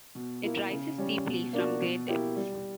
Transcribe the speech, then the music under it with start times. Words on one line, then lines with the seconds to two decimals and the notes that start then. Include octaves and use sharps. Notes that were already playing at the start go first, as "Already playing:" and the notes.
It rises steeply from great depths.
0.15 B2
0.44 A#3 E4
0.70 C#3
0.98 G3 C#4
1.26 B2
1.53 A#3 D4 F#4
1.82 B2
2.08 A#3 E4 G4
2.36 G3